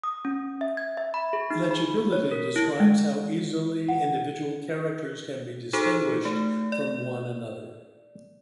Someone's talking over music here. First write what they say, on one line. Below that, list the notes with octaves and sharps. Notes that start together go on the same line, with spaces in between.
"Legibility" describes how easily individual characters can be distinguished from one another.
D#6
C#4
E5
G#6
E5
B5
G#4
D#4
B5
C#5
A#4
E4
G#3
F#5
D#4 F#4 G#4 A4 C5
A3
D5